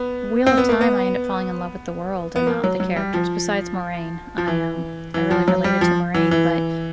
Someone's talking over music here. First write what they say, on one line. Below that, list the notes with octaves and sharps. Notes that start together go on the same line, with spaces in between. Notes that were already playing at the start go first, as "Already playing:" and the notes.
Wheel of Time, I end up falling in love with the world and not the characters, besides Moiraine. I, um I really related to Moiraine, but
Already playing: B3
C4
B3
A#3
B3
B3
A#3
F#3
F#3
G3
F3
F3
E3
E3
F3
F#3
G3
F3
E3
E3